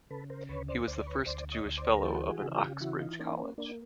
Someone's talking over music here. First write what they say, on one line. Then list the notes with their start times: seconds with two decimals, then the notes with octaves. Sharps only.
He was the first Jewish fellow of an Oxbridge college.
0.10 C#3 A4 B4
0.30 A#4 C5
0.49 D2 B4 C#5
0.68 C5 D5
0.87 D2 C5 D5
0.99 D5
1.07 B4 C#5
1.26 D2 C5 D5
1.52 C#5 D#5
1.65 D2
1.77 C5 D5
1.93 A#4
2.03 E3 G4 A4
2.14 F#4
2.21 G4
2.29 F#4 G#4
2.42 C#3
2.55 F4 G4
2.81 E3 E4 F#4
3.00 D#4 F4
3.19 A#3 C#4 D#4
3.39 C#4
3.58 A#3 D4